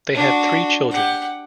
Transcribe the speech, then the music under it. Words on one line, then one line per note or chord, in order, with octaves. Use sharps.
They had three children.
D4 F#4
G4 F#5